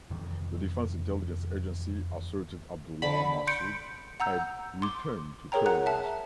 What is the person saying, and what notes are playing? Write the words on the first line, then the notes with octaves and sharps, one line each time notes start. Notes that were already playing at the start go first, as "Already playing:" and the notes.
The Defense Intelligence Agency asserted Abdullah Mahsud had "returned to terrorism".
F2 C3 D#3 E3
D3 A5 B5
C6 G6 C#7 D7
F#5 A#5 E6 G6
C6 D6
G#4 A#4 C#5 G5 A#5
F#5 A#5 F#6
E5 A5